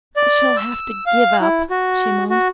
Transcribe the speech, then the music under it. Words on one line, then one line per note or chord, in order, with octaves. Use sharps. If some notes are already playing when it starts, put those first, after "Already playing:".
"I shall have to give up!" she moaned.
D5
E6
F5
E4
F#4
F#4